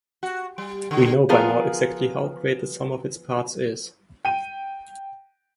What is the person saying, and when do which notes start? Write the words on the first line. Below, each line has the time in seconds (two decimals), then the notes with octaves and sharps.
We know by now exactly how great the sum of its parts is.
0.23 F#4
0.58 G3
0.91 D3
1.29 F3 B3 F4 G#4 A#4
4.25 G5 D#7